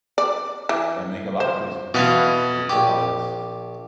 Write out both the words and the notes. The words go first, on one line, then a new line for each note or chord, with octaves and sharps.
uh, make a lot of places cleaner, local parks,
D5
E3
C5
B2 E3 B3 F4
A#1 G4 D6